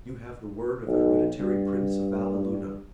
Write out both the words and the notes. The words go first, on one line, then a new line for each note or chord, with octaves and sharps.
You have the word of the hereditary Prince of Valleluna.
B1
G2